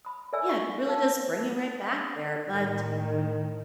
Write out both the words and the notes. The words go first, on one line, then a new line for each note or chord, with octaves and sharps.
yeah, it really does bring you right back there. But,
B5 D#6
A4 A#4 D5 E5 G#5 E6
C#6
D4 A4 A#4 F5 A5
A2 D#3